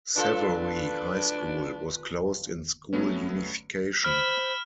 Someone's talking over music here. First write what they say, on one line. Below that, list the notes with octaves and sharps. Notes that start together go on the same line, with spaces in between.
Severy High School was closed in school unification.
A#2 D4 F4 A4 B4
G2 F#3 A3 B3 C#4
C5 B5 E6 F6